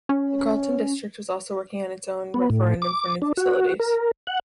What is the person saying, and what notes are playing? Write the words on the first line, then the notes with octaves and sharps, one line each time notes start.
The Carlton district was also working on its own referendum for new facilities.
C#4
B3
A2
D6
D4
F#4
A#4
F#5